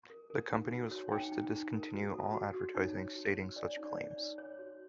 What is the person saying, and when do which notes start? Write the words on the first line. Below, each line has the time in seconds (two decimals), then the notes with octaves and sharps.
The company was forced to discontinue all advertising stating such claims.
0.10 A#4
0.30 A#4
0.50 D#4
0.71 F#4
0.91 C#5
1.12 D#4 G5
1.32 D#4
1.53 D#4
1.73 A#4
1.94 F#4
2.14 A4
2.34 F#4
2.54 F#4
2.74 D#4 C#5
2.95 C#5
3.16 F#4
3.36 C#5
3.56 C#5 D5
3.77 D#4
3.84 D5
3.97 C#5
4.11 D5
4.18 D#4
4.38 C#5
4.59 F#4